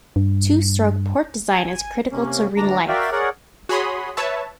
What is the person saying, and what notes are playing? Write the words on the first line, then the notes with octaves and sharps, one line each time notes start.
Two-stroke port design is critical to ring life.
G2
G#5
C3 A#3 C#4
D2 D4 A#5
F#4 A#4 D5 E5 F5 G5
G#4 A#4 C#5 D5 F#5
F#4 G#4 C#5 B5 C6 D#6
B4 C#5 E5 A5